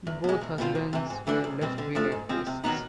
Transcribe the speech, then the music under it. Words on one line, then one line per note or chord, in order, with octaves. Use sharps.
Both husbands were left wing activists.
E2
B2 G#3
C2
B2 G3 C4 F4
C2
C3 E3
G#2
E3 A3 D4 F#4
C2
B2 G3 C4
D3
F3 A3 D4
G#2
F3 G#3 C4
C3
D#3 F#3 B3 D#4